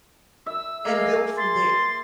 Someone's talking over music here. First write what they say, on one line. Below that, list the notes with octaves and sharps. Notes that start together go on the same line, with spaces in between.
And build from there,
E5 E6
A#3 G#4 D#5 F5
C6 A6